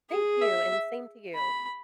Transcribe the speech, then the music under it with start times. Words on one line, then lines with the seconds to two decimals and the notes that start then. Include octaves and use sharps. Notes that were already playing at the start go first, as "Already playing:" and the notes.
Thank you, and same to you.
0.09 G#4
0.41 E5
1.35 B5